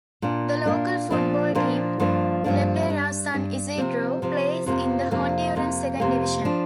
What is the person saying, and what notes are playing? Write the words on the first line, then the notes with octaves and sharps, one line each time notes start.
The local football team, Lepaera San Isidro, play in the Honduran second division.
A#2 A#3 D4
A#2 A#3 D4
A#2 F3 A#3 D4
A#2 F3 A#3 D4
G2 F3 A#3 D4
G2 F3 A#3 D4
G2 G3 D4
G2 G3 D4
C3 F3 C4
C3 F3 C4
F2 C3 F3 A#3
F2 C3 F3 A#3
F2 C3 A#3
F2 C3 A#3
F3 D4